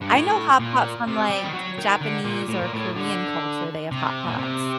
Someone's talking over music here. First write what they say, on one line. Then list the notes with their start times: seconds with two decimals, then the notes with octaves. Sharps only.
I know hot pot from, like, Japanese or Korean culture, they have hot pots.
0.01 G2
0.12 A2
0.60 A#2
1.07 C3
1.30 G3
1.44 D#3
1.53 F#3
1.78 D#3
2.01 D3
2.25 A#2
2.48 A2
2.61 A#2
2.74 A2
2.96 D3
3.92 C3
4.27 A#2
4.38 C3